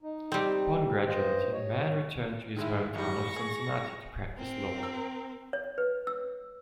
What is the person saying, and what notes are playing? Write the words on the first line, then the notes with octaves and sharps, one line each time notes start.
Upon graduating, Mann returned to his home town of Cincinnati to practice law.
D#4
G3 C4
G2 C5 D#5
C#5
D#3 G#3 E4
A1 D#3 G3 C#6 A#6
G#4
C4 A#4
E6
C#5
B4
E6